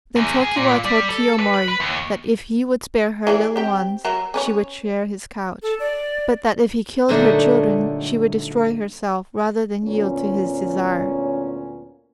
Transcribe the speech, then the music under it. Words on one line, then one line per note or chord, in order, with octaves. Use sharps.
Then Tokiwa told Kiyomori that if he would spare her little ones she would share his couch; but that if he killed her children she would destroy herself rather than yield to his desire.
E2
G#4
A#2
G3
A4
B4
B5
B4
D#2
E3 G#4 D5
C4 G4 G5
F#3 A#4 E5
C#4 B4 C#5
A4
D5
A#2 D3 F#3 G3 A3 D#4
D2 A#2 B3 C#4